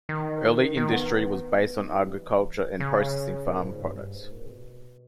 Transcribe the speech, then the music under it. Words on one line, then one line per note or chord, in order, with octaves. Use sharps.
Early industry was based on agriculture and processing farm products.
D#3
D#3
B3
D#4
G3
E3
C#3
A#2
G#2
G2
G#2
A#2
C#3
B2